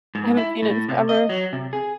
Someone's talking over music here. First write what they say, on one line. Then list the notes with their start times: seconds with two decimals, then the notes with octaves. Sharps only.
I haven't seen it in forever.
0.15 G#2
0.37 E4
0.62 A2
0.89 C3
1.09 D#5
1.29 F#3
1.53 C3
1.73 G#4